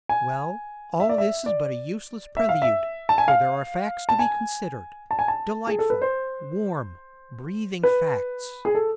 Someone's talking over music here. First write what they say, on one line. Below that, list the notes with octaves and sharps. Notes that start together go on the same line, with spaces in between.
Well, all this is but a useless prelude, for there are facts to be considered--delightful, warm, breathing facts!
G#5
E5
D5
E5
D5
E5
F5
E5
A5
G#5
F5
A5
G#5
A5
G#5
A5
G#4
A4
B4
C5
B4
G#4
A4